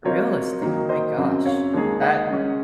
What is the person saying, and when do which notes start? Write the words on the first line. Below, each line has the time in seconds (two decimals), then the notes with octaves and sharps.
real estate, oh my gosh, that
0.05 F#3 C4 F4 A#4 C5 C#5 D#5
0.62 D#3 F#3 A#3 D#4
0.89 C5 D#5
1.17 F#2 C#3 F#3 C4
1.46 C#5 F5
1.74 D#2 D#3 G#3 D#4 G#4
2.01 D#5 F#5
2.30 C#3 G#3 C#4